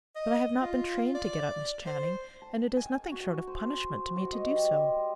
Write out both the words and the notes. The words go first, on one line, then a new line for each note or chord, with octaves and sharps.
"But I have not been trained to get up, Miss Channing; and it is nothing short of punishment to me to do so."
D#5
F4
D5
C5
A5
G#5
F#4
C5
F#4
D#5
G3
C6